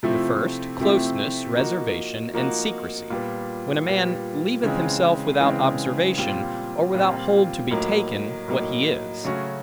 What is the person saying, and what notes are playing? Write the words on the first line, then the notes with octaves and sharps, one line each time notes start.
The first, closeness, reservation, and secrecy; when a man leaveth himself without observation, or without hold to be taken, what he is.
C3 F3 A3 C4 E4
C3 F3 A3 C4 E4
F3 A#3 D#4 F#4
F3 A#3 D#4 F#4
A#2 G3 B3
A#2 G3 B3
C#3 E3 G#3 C4
C#3 E3 G#3 C4
A#2 G3 C4 F4
A#2 G3 C4 F4
A2 F#3 A#3 D#4
A2 F#3 A#3 D#4
C#3 F#3 A3 C#4 F#4